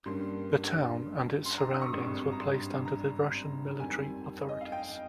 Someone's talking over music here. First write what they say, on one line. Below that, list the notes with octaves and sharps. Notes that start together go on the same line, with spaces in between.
The town and its surroundings were placed under the Russian military authorities.
G2 G3 A#3 C#4 C6
C6
A#5
D#6
C#6
G#1 G2 G3 C4 C#6
A#5
C6
A#5
F2 D#3 G3 C4 G#5
D#5
F5
G5